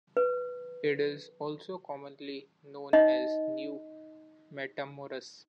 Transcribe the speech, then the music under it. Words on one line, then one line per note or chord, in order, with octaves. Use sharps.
It is also commonly known as New Matamoras.
B4
D#4 D#5